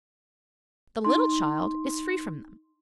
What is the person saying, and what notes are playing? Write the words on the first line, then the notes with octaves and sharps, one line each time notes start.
The little child is free from them.
D#4 C6